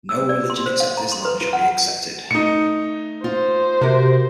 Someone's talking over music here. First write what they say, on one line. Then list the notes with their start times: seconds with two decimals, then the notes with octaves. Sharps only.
No religion except Islam shall be accepted.
0.09 E6
0.29 D5
0.50 C6
0.66 C5
0.80 F5
0.97 A#5
1.12 C6
1.25 B4
1.41 F4
1.53 F#5
2.31 A3 D#4 C#7
3.24 F4 C5
3.81 C3 F#4 A#4